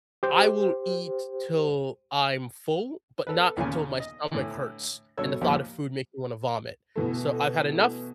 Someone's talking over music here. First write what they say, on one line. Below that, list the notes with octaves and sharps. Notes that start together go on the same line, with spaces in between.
I will eat till I'm full, but not until my stomach hurts and the thought of food makes me wanna vomit. So, "I've had enough.
G4 C5
A4 B4
D#2 A#2 C#3 G#5
D#5
A2 D3 E3
G2 B2 A4 C#5 E6
D#2 A#2 F3 G3
B2 E3 A3